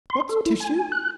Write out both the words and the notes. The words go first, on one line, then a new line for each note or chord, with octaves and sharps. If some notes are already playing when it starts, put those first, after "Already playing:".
"What's tissue?"
C6
A4
E4
G#5
F#6